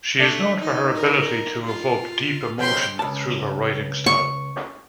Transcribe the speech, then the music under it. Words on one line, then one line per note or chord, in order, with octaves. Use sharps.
She is known for her ability to evoke deep emotion through her writing style.
A3 D4
D#4
A#4
F4
F2 C#3 G5 C6
C#2 A5
C#6